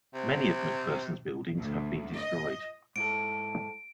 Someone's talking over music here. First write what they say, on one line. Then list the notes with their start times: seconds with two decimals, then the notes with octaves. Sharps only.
Many of MacPherson's buildings have been destroyed.
0.14 C3
1.58 D2
2.14 D#5
2.96 G#2 E4 A4 D7